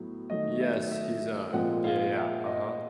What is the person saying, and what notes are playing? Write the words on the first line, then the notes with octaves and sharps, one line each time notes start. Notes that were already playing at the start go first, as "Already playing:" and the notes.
Yes, he's, uh Yeah, yeah, yeah, uh-huh.
Already playing: A2 F#3 B3
D#3 F#3 A3 D#5
E5
E5
A#2 F3 G#3 C4 F#5
F5
E5
D#5